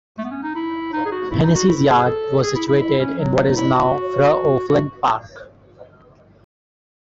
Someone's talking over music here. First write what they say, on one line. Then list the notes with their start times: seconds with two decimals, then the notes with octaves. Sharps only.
Hennessy's yard was situated in what is now Fr O'Flynn Park.
0.18 A3
0.24 B3
0.31 C#4
0.43 D#4
0.55 E4
0.93 D#4
1.05 G#4
1.12 F#4
1.31 E4
1.43 D#4
1.55 F#4
1.68 E4
1.87 G#4
2.05 A4
2.43 G#4
2.55 E4
2.68 E4
2.80 E4
2.99 C#4
3.18 F#3
3.37 F#3
3.49 D#4
3.56 E4
3.74 F#4
4.68 F#4